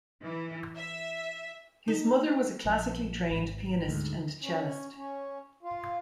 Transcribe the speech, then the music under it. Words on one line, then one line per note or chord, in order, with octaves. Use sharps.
His mother was a classically trained pianist and cellist.
E3
E5
D#4
A#1
G#1
D2 G#2
C#4
C#4
F4